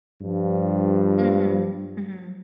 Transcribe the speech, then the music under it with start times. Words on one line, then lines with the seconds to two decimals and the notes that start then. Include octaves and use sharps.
Mhm. Mhm.
0.21 G2 F3